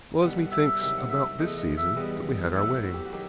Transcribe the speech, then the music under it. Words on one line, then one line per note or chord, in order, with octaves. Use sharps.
It was, methinks about this season that we had our wedding.'
C2 B2 G3 F#5
F#5
E5
E5
C2 C3 D#3 F#3 E5
F#5
E5
E2 B2 A3 D#5
D#5
E5
E2 B2 G3 B3 D#5
A2 F#3 B3 E4
F#4
G4
F#4
D#3 F#3 G4